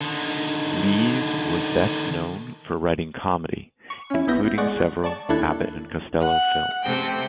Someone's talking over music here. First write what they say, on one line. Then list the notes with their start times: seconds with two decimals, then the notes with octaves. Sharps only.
Lees was best known for writing comedy, including several Abbott and Costello films.
0.01 D3 D#3
3.90 C#6
4.10 C#4 E4
4.27 A#1 B3 E4 G6 A#6
4.58 G#3 D5 F#5 C#6
5.04 D5 A5 C#6
5.29 D#2 D4 E4 A4 F#6 G#6
6.20 F#5
6.83 C3 A3 G5